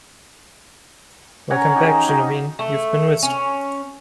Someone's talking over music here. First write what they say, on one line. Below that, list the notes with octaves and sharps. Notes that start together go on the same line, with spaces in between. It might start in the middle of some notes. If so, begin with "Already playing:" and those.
Welcome back Ginuwine, you've been missed.
C#4 F#5 G#5 A#5
D#4 G4 G#4
D#4 F#4
A3
C#4